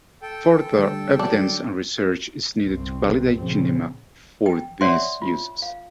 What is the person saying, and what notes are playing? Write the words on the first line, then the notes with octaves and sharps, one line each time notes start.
Further evidence and research is needed to validate gymnema for these uses.
A4 G5
D3 G3
F#3 D4
G1 C2 C4
F2 A#2 C#3 C4
G5
C#5 D5 E5 F#5 C6
F4
F5